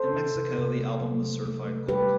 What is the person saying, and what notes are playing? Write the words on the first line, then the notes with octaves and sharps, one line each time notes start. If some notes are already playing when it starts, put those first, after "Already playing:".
In Mexico the album was certified gold.
Already playing: A4 C5
C3
C3
C3
A3
F#3
A3
A3
A3
G3 G4 B4